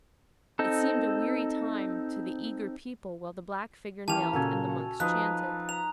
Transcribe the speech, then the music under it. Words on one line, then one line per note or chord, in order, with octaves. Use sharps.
It seemed a weary time to the eager people while the black figure knelt and the monks chanted.
C4 D#4 A4
E3 A#3 C#4 G4 A5 F7
A#2 C#3 F#4 A4 G#5
F3 D#4 B4 F#6
A#5 F7